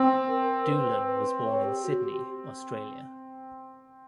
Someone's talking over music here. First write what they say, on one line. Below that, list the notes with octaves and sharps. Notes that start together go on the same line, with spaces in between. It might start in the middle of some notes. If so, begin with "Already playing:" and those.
Doolan was born in Sydney, Australia.
Already playing: C4
A#4
B4
B4
C#5
G4
F#4
G4